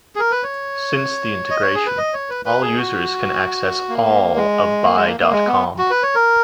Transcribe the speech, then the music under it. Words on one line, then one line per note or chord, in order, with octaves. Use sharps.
Since the integration, all users can access all of buy dot com.
G#4
A#4
B4
C#5
D#5
C#5
G#4
B4
D#5
C#5
B4
B4
G#4
F#4
A#3
G#3
A#3
G#3
A#3
A#3
G#3
B3
F#4
B4
C#5
A#4